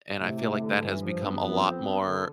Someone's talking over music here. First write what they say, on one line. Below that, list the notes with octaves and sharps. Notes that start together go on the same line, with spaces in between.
and I feel like that has become a lot more
A2 C3
C3
D3
G2 E3
F3
G2
B3
F2 B3
C4
B3
D3